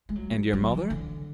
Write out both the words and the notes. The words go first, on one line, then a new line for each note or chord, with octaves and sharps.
"And your mother?"
G#3
F#3
F#3
E3
D3